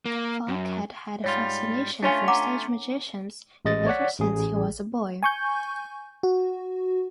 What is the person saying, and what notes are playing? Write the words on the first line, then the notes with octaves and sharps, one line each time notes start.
Falk had had a fascination for stage magicians ever since he was a boy.
A#3
F#2
G#2 G3 F4 C#5
A3 C#4 D4 F4 C#5 G#5
F#5 A#5 D6
A1 G#3 D#5 A6
C#5 D5 F#5 B6
A1 G#4
G#5 C#6 G6
F#4